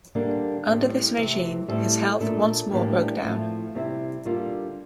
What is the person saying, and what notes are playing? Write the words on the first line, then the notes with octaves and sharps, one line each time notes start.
Under this regime, his health once more broke down.
D3 G3 A#3 D4
A2 G3 C4
C3 E3 A3 C4
A2 G3 C4 E4 A4
A#2 A3 D4 A4
A2 E3 G3 A#3 D4
A2 F3 A3 C4
C3 G3 C4 E4
D3 G3 A#3 F4